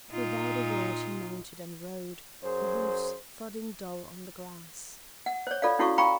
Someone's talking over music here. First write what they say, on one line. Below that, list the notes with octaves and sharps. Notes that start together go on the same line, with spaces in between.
Without a word he mounted and rode, the hoofs thudding dull on the grass.
A#2 D#4 F4
F#2 G#4 C5
F#5
C5 C#5
F4 A4 D5 F5
C#4 E4 F#4 A4 F5 C#6
F5 G5 A#5 B5 C#6